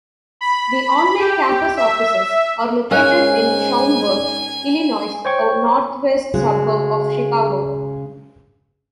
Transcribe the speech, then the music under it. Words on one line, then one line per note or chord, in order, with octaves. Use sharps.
The online campus offices are located in Schaumburg, Illinois, a northwest suburb of Chicago.
B5
G4
E5
G#2 C#4 A#4 F5 G#5 F#6
C5 C#5 G5 C#6
C#3 G#3 F#4